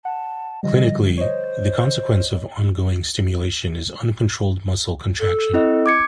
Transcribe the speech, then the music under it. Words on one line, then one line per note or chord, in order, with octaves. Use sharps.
Clinically, the consequence of ongoing stimulation is uncontrolled muscle contraction.
F#5 A5
D3 F3 G3 D#5
C5 C#5 D#5
A4
C4 E4 D#5
D6 G#6 C#7